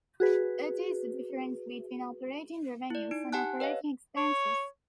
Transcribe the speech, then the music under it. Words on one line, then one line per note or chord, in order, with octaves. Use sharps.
It is the difference between operating revenues and operating expenses.
F#4 G#4 B4
E4 D5
D#4 D7
G4 F#5 G#5 A5 F#6
B4 C#5 D#5 F5
C#5